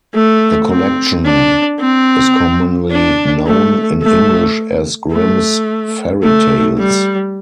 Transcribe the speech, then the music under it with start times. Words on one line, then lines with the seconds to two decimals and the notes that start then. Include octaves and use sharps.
The collection is commonly known in English as Grimms' Fairy Tales.
0.15 A3
0.69 C4
1.25 D4
1.80 C4
2.91 D4
3.46 A3
4.02 A3
5.12 A3
6.23 A3
6.78 G3